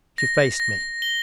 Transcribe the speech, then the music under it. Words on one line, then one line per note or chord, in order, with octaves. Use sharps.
She faced me.
A#6
A#6
G7